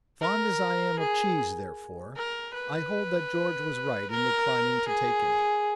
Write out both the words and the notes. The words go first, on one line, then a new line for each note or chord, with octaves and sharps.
Fond as I am of cheese, therefore, I hold that George was right in declining to take any.
A#4
G#4
A#4
B4
A#4
G#4